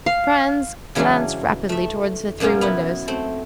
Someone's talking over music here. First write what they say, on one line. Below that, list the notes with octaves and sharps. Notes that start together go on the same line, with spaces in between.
Franz glanced rapidly towards the three windows.
F5
C#3 E3 F#3 G#3 C#4 D4
A3 E5
F#2 B2 A#3 C#4 F4
B3 E4
A3 C4